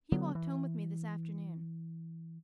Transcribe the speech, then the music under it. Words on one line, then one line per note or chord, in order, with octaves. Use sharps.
He walked home with me this afternoon.
D3 F#3 B3
E3